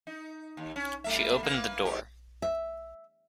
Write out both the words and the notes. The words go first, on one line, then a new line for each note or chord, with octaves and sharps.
She opened the door.
D#4
D#2
C#4
G3 A3 E5
A#3 B4
G#2 G4
E5